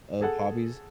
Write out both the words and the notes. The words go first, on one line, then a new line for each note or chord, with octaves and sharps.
of hobbies.
G#4 A4 F#5